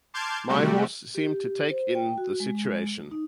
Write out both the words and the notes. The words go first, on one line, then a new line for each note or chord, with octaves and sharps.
My horse seemed to take in the situation.
A5 C6 D6 F6 G6 G#6
C3 G3 A3 F#4 G4
G4
C5
G5
F#4
G#3
D#4